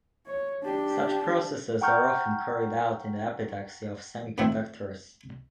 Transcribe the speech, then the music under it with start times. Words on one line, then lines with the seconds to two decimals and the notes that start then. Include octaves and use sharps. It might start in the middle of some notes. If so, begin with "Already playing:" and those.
Such processes are often carried out in the epitaxy of semiconductors.
0.26 C#5
0.64 D4 G4
1.81 F#5 G5 A#5 C#6 F6 G6
4.38 F2 A2 D#3 A3 C4 E4